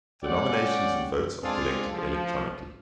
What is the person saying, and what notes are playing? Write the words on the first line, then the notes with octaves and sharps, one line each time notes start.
The nominations and votes are collected electronically.
G#3 C#4 D5 F#5 G5
G#3 C4 D4 F4 G#4 A4
F3